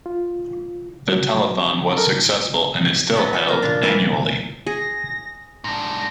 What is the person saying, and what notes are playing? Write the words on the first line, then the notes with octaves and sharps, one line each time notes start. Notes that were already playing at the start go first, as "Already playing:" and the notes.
The telethon was successful and is still held annually.
F4
F#3
A4 A#4
F#3 B3 A4
F3 C#4
A#3
F3 D4 F4
E3 E4 A#4 D5 G#5 A5
G#4 A#6
G#2 D4 A#6